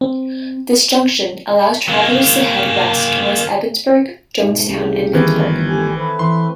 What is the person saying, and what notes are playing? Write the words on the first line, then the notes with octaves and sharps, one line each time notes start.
This junction allows travelers to head west towards Ebensburg, Johnstown, and Pittsburgh.
C4
F#3 A#3
G#2 B2 A3
C2 C#3 G4
G1 D#3 E3
D3 G4 G#5
A3 C4 B4
E3 C6